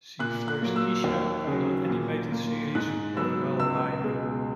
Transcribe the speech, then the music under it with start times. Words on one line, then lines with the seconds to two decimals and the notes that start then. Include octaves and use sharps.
She voiced Keisha on the animated series "Bromwell High".
0.19 A#2 F#6
0.48 F#6
0.62 F#3 A#3
0.76 E6
1.04 D#2
1.47 C#3 F#3
1.89 A#2
2.32 A#3
2.75 G#2 F#6
3.17 F#3 B3 E6
3.59 C#2 E6
4.02 B2 G#3